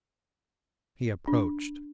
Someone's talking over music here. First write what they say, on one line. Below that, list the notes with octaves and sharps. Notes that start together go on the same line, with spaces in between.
He approached.
D4